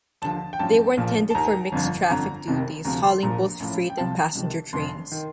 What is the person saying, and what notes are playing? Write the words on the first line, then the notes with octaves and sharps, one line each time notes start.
They were intended for mixed traffic duties, hauling both freight and passenger trains.
D#2 D3 F3 A5
G5
A1 G2 F3 A5
A#1 A#2 F3
A5
D#2 D#3 A#5
G1 F2 D3 F3
G1 F2 D3 A#5
F1 F2 C3 D#3
D2 C3 F3 A#5
C6
A#1 A#2 F3 A#5
A1 A2 F3
G5
C2 C3 F3 A5
C2 C3 D#3
F1 F2 D3 C6
D#3